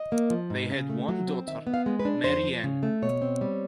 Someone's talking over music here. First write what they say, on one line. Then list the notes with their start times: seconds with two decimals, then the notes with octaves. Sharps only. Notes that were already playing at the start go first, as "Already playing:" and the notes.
They had one daughter: Marie-Anne.
Already playing: D#5
0.12 A#3
0.30 F3
0.50 G#2
0.70 C#3
0.90 A3
1.08 F#3
1.28 C4
1.47 D#3 E5
1.67 B3
1.74 F5
1.86 G#3
1.99 B4
2.05 D4
2.24 F2 C5
2.44 F3
2.64 C#3
2.83 A3
3.02 B2 C#5
3.22 C4
3.41 G3